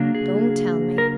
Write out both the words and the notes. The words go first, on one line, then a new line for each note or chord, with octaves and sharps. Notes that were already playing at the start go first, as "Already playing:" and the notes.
Don't tell me.
Already playing: C#3 F#3 A#3 D4
G#4
A#4